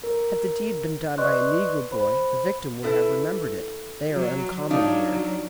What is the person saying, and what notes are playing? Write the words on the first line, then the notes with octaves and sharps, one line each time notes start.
Had the deed been done by a negro boy, the victim would have remembered it; they are uncommon here.
A#4
B4 D5 D#5 C6 C#6 F#6
C5 B5
E4 A4 B4
F#3
F#3 D4 D#4 F4